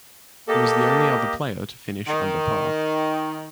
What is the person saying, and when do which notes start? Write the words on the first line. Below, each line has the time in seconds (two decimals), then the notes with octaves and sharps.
He was the only other player to finish under par.
0.48 A#3 G4 A4 D#5
2.08 D#3